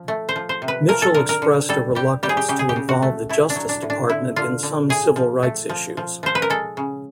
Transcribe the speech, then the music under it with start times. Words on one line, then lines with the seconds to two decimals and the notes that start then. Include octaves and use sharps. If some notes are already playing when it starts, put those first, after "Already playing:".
Mitchell expressed a reluctance to involve the Justice Department in some civil rights issues.
Already playing: F3
0.08 A3
0.29 C5
0.36 F3
0.49 C5
0.62 C3
0.68 B4
0.89 F3 A#4
1.02 A4
1.14 D3 A#4
1.29 A#4
1.42 D3
1.69 G3 A4
1.95 G3 G4
2.23 G3 G4
2.29 G#4
2.37 G4
2.49 C#3 G4
2.59 G#4
2.69 G4
2.76 C#3
2.89 F#4
3.02 A3
3.29 A3 E4
3.50 D4
3.56 F#3
3.69 D4
3.82 A2
3.90 D4
4.09 D3 E4
4.36 D3 F4
4.63 D3
4.89 A2 G#4
5.16 F3
5.43 A3
5.69 F3
5.97 F3
6.23 F3 C5
6.35 B4
6.42 A#4
6.50 G#3 A4
6.77 C#3